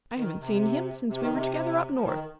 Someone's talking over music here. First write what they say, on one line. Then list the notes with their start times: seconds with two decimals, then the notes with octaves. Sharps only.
I haven't seen him since we were together up North.
0.17 D#3
0.40 C3
1.10 C3
1.22 D#3
1.33 C3
1.94 F3
2.03 D#3